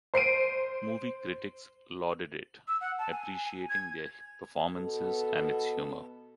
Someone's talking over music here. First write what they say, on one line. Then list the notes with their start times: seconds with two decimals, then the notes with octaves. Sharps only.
Movie critics lauded it, appreciating their performances and its humor.
0.14 C5 C7 D7 D#7
2.68 E6
2.81 F#5
2.99 A5
3.12 G#5
3.46 G#5
3.69 G#6
4.73 B2 B3 A4